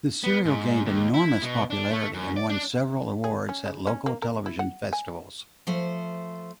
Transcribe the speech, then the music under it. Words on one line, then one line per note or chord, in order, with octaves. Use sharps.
The serial gained enormous popularity and won several awards at local television festivals.
B3
G#2
D#2
E4
B2
D4
A3
F#2
D5
D4
G#4
C#4
C#3
C#4
A#3
A#4
E4
F#5
G#5
F3 A3 C5